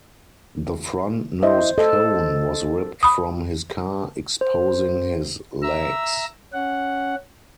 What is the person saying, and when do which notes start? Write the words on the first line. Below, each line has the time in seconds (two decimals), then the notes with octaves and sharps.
The front nose-cone was ripped from his car, exposing his legs.
1.43 E4 C5 D#5 E5
1.78 A4 D#5
3.03 B5 D#6
4.41 C5
5.62 E5 A#5 E6
6.53 C#4 F#5